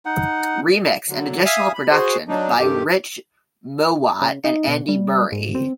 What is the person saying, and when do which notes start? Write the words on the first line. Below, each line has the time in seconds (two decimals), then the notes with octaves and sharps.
Remix and additional production by Rich Mowatt and Andy Bury.
0.05 D#4 F#5
1.08 D3 F#3
1.45 E5 F5 G#5 D#6
1.74 B5
1.91 F#4 G#4 C5 C6
2.28 F#3 D4 D#4
2.58 G2 D#3 A3 G4
4.21 C#3
4.44 D#4
4.67 B2
4.88 G3
5.32 G#2
5.55 C4